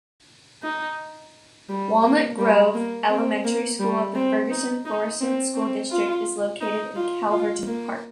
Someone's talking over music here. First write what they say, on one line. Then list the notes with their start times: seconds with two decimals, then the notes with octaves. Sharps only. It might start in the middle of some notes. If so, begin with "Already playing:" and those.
Walnut Grove Elementary School of the Ferguson-Florissant School District is located in Calverton Park.
0.63 D#4
1.69 G3
2.03 A#3
2.39 G3
2.74 A#3
3.10 C4
3.44 A#3
3.80 G3
4.15 C4
4.50 D#4
4.85 D#4
5.21 C4
5.55 C4
5.91 F4
6.61 D#4
6.96 F4
7.31 F4
7.67 A#3